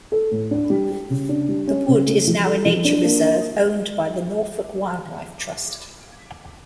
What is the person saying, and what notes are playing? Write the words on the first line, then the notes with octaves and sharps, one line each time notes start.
The wood is now a nature reserve owned by the Norfolk Wildlife Trust.
A4
A2
D4
G3
G4
C#3
D4
G3
C#4
C#3
A3
F3
A4
F3
D4
A#3